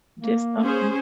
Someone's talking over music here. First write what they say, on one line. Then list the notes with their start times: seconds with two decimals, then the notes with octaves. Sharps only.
just something
0.20 A#3
0.62 C#4 G#4 C5